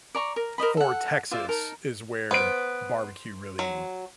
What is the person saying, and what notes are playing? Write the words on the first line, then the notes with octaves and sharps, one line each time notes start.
for Texas is where barbecue really
D5 A#5 C#6
A#4
A#4 C5 D#5 B5
A4 F#5
F4 C5 D5 E5
D#4 A#4 A5
B3 C5 D7
F#3